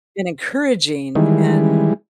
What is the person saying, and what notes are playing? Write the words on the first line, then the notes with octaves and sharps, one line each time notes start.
been encouraging and
D#3 E3 G3 G#3